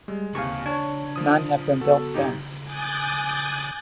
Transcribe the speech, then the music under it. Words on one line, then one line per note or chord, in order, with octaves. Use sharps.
None have been built since.
G3 G#3
D#2 C3 F5 G#5 C#6
D4 C#5 C#6 G#6
F3 D#6
B3 F#4 A4
G1 D#4 G4
G#5 D6 D#6 F#6 G6 A6